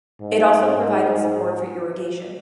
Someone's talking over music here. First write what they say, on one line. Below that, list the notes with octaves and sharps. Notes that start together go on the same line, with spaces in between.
It also provided support for irrigation.
G#2
G#2
G#2